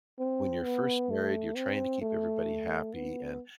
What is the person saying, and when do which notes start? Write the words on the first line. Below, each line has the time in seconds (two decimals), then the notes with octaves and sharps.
when you're first married, you're trying to keep everybody happy, and
0.19 C4
0.65 B3
1.11 A3
1.56 C4
2.02 A3
2.94 B3